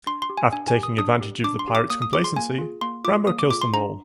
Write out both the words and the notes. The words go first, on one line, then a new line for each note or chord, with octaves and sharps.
After taking advantage of the pirates' complacency, Rambo kills them all.
D4 C6
C6
G4
G#5
D4 G#5
G#5
G4
D#6
D4 D#6
G4
D4 D6
C6
G4
D6
A#3 D#6
D#6
F4 G#4 D6
C6
A#3 G#5
F4 G#4
A#3 C6
F4 G#4 D6
A#3 D#6
D6
F4 G#4 D6
C6
D4 A#5